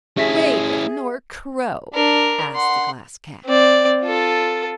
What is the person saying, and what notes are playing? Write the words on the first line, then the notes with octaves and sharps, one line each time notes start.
"Raven, or crow?" asked the Glass Cat.
C#4 E4 G4 G#4 E5 B6
D4 A#4
F#5 C6
C4 D5
F4 A4